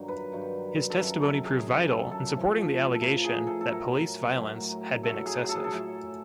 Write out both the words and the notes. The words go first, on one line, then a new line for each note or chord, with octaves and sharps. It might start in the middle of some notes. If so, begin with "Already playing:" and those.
His testimony proved vital in supporting the allegation that Police violence had been excessive.
Already playing: G2 D#3 F#3
B4
G2 D#3 F#3
A4
F#2 D#3 F#3 A#4
A4
G#4
F#2 D#3 F#3
A4
A4
A2 F3
A4
A2 F3 A#4
G#4
A4
A4
A2 F#3 A#4
A2 F#3
A2 F#3 A4
G#4
A4
G#4
A4
A2 F#3